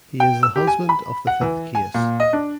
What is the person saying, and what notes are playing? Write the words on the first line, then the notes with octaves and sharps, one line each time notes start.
He is the husband of the fifth case.
G5
E6
G4
G#5
B5
F#5
E3
G#5
A#2
D#5
D4